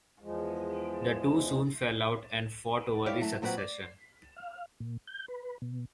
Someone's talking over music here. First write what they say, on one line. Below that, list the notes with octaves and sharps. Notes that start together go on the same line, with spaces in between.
The two soon fell out and fought over the succession.
E2 F3 G#3
E4 G4 B4 C#5 D5 F5
F#3 A3 F#4
A#2 F#3 C4 B4 F#5
D5
F5
A#2
G6
B4
B2